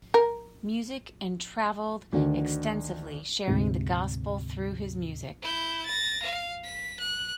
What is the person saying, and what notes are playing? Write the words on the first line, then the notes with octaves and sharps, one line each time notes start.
Music and traveled extensively sharing the Gospel through his music.
A#4
D2 D#3 D4 F#4
D2 G#2 C3
E4 G6
A6 A#6
F5
B6
F#6